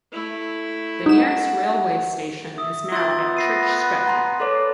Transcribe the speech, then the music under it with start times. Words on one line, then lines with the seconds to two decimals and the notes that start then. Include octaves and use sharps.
The nearest railway station is now at Church Stretton.
0.12 A3 E4
1.06 D#4 F#5 E7
2.58 E5 D#6
2.92 B3 F4 E5 C6 E6 A6
3.37 A#6 C7 D#7
3.72 F#6
4.06 F#5 A#5 C6
4.40 A4 B4 C#5 D5